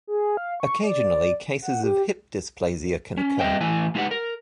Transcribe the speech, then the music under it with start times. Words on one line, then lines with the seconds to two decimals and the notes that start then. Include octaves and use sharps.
Occasionally, cases of hip dysplasia can occur.
0.07 G#4
0.37 F5
0.60 C#6
0.83 D5
1.62 F#5
1.84 G4
3.17 C#4
3.40 G3 C4 B4 D#5 E5 G5
3.61 A2 E3 E4 G#5
3.95 G#3 D#4 G4 B4 F#5
4.11 A#4